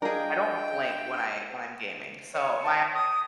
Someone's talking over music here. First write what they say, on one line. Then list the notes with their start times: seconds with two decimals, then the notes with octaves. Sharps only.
I don't blink when I when I'm gaming, so, my Yeah.
0.02 D4 G#4 A#4 D#5 F5 G5
2.33 C#5
2.63 A5
2.95 D#6